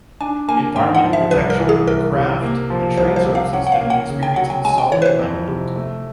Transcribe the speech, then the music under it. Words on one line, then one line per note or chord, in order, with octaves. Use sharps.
Environmental protection, craft, and trade services have been experiencing solid development.
D4 G#5
A#3 G#5
G#2 G5
F#5
F3
E5
C2 B4
A#4
E3
G#4
C2 A#4
C3
A#3
F3
C2 C5
C5
C3
F5
C#4 F#5
F#5
F5
A#3
F#5
C#3
G5
F#3 F#5
G5
G#3 G#5
G5
E3 C#5
B4
C5
F2
C3
A3